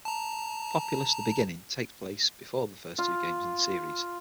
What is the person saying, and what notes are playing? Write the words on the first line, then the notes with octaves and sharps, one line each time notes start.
"Populous: The Beginning" takes place before the first two games in the series.
A5 A#5
F4